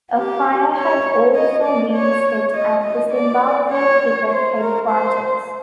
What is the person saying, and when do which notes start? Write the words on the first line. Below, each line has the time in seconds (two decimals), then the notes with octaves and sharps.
A fire had also been set at the Zimbabwe Cricket headquarters.
0.17 G4
0.76 C#5
1.35 D#5
1.64 D5
1.94 C#5
2.53 D#5
2.83 D#5
3.11 D5
3.71 C#5
4.29 C5
4.58 A#4
4.89 C5